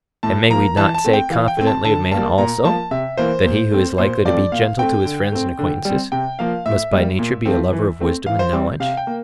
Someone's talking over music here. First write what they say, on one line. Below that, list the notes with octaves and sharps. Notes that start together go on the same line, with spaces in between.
And may we not say confidently of man also, that he who is likely to be gentle to his friends and acquaintances, must by nature be a lover of wisdom and knowledge?
A2 A5
F3 A#3 A#5
E3 A5
A5
A3 C4
G5
E3 F5
G5
A3 C4
A5
D3 A5
G3 A#3 A5
A#2 A#5
F3 A#3 A5
C3 E5
E3 A#3 C5
A#2
A3 C4
A#2 C5
F3 A3 C4 D5
A#2 F5
A3 C4 G5
D3
A3 C4
D3
G3 C4
C3 G5
F3 A#3 F5
A2 E5
G3 A#3
A#2
F3 A3 C4
E3
A3 C4
E3 F5
C5
G3 C4
C3 F5
G5
A#3